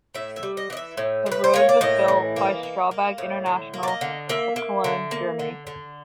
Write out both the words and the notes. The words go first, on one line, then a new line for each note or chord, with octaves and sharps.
The road was built by Strabag International of Cologne, Germany.
A2 E5
E5
G3
D#5
E3 D#5
E5
A2
A2
B4
C5
A#3 C#5
D5
A2 D#5
E3
A#3
A#3
A#3
A2
D3
A#3
D5
D#5
D3
A#3 E5
A#3
D3
A#3
D3
D3